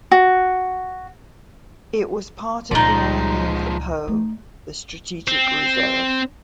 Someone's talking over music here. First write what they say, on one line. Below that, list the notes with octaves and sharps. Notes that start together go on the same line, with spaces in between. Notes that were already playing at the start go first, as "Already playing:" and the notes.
It was part of the Army of the Po, the strategic reserve.
F#4
C#2 A#2 F3 G#3 D#4 D5
A3
C4